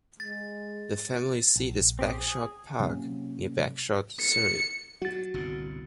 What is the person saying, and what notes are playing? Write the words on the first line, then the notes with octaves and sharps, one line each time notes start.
The family seat is Bagshot Park, near Bagshot, Surrey.
G#3 A6
A#1
C4 G4 G#4
G#4
C3 F#3 A#3 C#4
C#7
F#3 F#4 A6
G1 C2 A#2